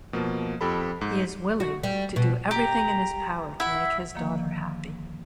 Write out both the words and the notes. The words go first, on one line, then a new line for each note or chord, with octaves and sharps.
He is willing to do everything in his power to make his daughter happy.
B2 F3 A#3
F2 G4 A4 B5
G#2
F#4
G3
B2
G4 A#5
E4 E5 F#5
D3 D#3 F3 A#3